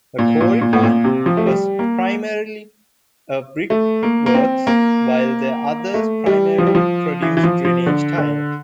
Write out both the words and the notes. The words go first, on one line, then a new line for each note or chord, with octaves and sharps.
The Cory plant was primarily a brickworks, while the others primarily produced drainage tile.
A#2
A#2
A#2
A2
A#2
C3
F3
A3
G3
A#3
A3
A#3
A#3
C4
A#3
A3
G3
F3
G3
F3
E3
E3
F3
F3
D3
D3